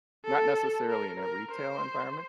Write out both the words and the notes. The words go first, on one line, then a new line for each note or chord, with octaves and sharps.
not necessarily in a retail environment,
A4
A#4
A#4
C5